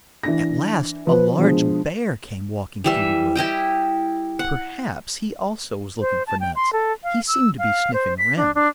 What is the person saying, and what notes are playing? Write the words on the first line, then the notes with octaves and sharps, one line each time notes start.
At last a large bear came walking through the wood. Perhaps he also was looking for nuts; he seemed to be sniffing around.
E3 D4 A#6
F3 B4
B2 F3 G#3 D4
E3 G3 E5
E4 G4 D#5 G5
F#5
C5
A5
G5
C6
A4
F5
E6
F5
C5
B6
D4
D4